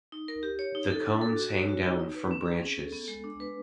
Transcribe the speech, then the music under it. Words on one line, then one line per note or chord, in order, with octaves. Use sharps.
The cones hang down from branches.
D#4
A#4
G4
C#5
D#4
A4
D4
A4
F#4
C#5
F#4
D#4
D#4
B4
C4
G#4
C#4
A4
B3
G#3
D4
B4